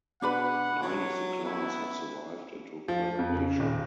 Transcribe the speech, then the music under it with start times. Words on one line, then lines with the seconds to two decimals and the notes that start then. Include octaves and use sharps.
Nine of the class have survived into preservation.
0.22 B2 D4 B4 F#5 B5
0.82 F#3 C#5
1.45 B3 E4
2.88 F3
3.19 F2
3.35 C#3
3.60 D#1